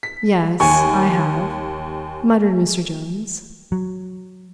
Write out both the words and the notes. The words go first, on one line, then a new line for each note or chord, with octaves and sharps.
"Yes, I have," muttered Mr. Jones.
B6
D#2 G#5 C#6
F#3